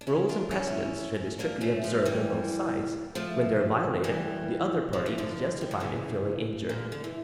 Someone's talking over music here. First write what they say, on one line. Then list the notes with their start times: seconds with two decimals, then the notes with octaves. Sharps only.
Rules and precedents should be strictly observed on both sides; when they are violated, the other party is justified in feeling injured.
0.01 D4
0.07 C#4 E4
0.29 D4 F4
0.51 C#4 E4
1.39 A#3 D4
1.61 A3 C#4
1.84 F3 A3
2.05 E3 G3
3.15 F3 A3
4.04 E3 G3
4.93 F3
5.06 E3
5.18 D3 F3
5.61 G3
5.71 F3
5.80 C#3 E3
6.69 A#2 D3
6.92 D3
7.04 E3